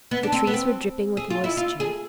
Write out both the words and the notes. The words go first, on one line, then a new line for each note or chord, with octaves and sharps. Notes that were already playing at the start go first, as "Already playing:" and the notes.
The trees were dripping with moisture.
B3
D4
C4
B3
C4
G#4
F4
E4
F4
G#4